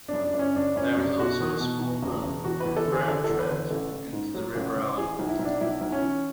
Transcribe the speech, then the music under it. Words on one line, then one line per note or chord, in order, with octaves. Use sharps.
There is also a small run of brown trout into the River Allen.
F#2 D4
D4
F#1
C#4
F#1 D4
F#1 C#4
F#2 D4
B2 F#4
E2
B2
B2
E1
E1
E2 F#4
B4
E2
A4
D3
G#4
D3 A4
A4
E2
B4
D3
B4
A1 A4
A1
G#2
F#3
A1
A1
E3 G#4
B1
E4
B1
D4
B1 E4
B1
C#4
E3